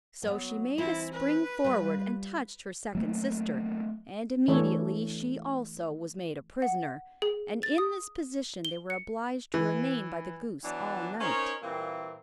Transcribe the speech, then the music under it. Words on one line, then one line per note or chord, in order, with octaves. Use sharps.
So she made a spring forward and touched her second sister, and immediately she also was made a prisoner, and in this position they were obliged to remain by the goose all night.
F#3 B3
E3 C4 E4 C5
B4
G3 F4
F#3 A3 A#3
E3 A3 D4 A4 C#5
F#5
G#4
A6
D#6
G7
C#7
E3
E3 F#3 B3 D4
C#4 D#4 A#4 C5 C#5
A#2 E3 G3 A#3 C4